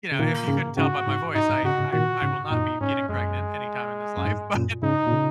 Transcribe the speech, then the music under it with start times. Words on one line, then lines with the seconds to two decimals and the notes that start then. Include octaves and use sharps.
you know, if you couldn't tell by my voice, I I I will not be getting pregnant anytime in this life, but
0.12 C#3
0.19 A#2 D#3 A#3
0.47 G#2 C#3
0.76 G#2 C#3 F#4
1.07 G#2
1.34 G#2 D#4
1.49 G#2
1.63 G#2 C#3 F#4
1.78 G#2 C#3
1.92 A#2 D#3 F#4
2.22 G#2 C#3
2.50 F#2 A#2 D#4
2.80 G#2 C#4
3.09 F#2 G#3
4.17 F#2
4.25 G#2
4.54 F#2 A#2
4.82 G#2 C#3 D#4
5.07 A#2
5.12 C#3